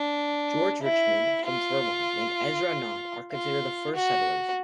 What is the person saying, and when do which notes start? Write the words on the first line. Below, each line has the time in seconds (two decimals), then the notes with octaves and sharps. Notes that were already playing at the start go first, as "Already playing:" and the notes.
George Richmond, from Vermont, and Ezra Nott are considered the first settlers.
Already playing: D4
0.83 E4
1.46 F4
3.32 F4
3.95 F#4